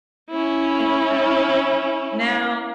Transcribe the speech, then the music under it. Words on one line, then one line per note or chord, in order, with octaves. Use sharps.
Exactly. Now,
C#4 E4